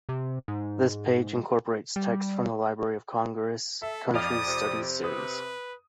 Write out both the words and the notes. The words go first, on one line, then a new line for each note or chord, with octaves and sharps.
This page incorporates text from the Library of Congress's Country Studies series.
C3
G#2
G3
A4 E5
F2 D5 D#5 F5 D#6
C3
B4 D#6